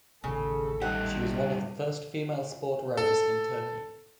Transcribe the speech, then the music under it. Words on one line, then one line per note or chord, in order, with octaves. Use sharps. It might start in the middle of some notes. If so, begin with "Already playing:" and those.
She was one of the first female sport rowers in Turkey.
A1 D#2 C#3 A4
G3 D#4 G4 F#5
A4